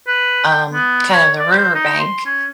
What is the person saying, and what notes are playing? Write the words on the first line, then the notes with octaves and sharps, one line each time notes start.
um, kind of the riverbank
B4
G5
B3
C#5
D5
C5
D#4
C6
C#4